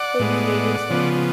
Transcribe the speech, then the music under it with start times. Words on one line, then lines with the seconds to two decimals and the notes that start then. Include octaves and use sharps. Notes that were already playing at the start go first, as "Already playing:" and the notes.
Thank you, you too.
Already playing: D5 F#5
0.20 A2 G#3 B3
0.91 C#3 F3 B3